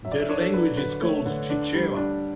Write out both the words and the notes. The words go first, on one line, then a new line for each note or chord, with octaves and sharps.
Their language is called Chichewa.
F#3 E5
D5
E5
D4 C#5
A4
F#3 B4
D3 B4
A3 C#5
D3 B4
D4
G3
D4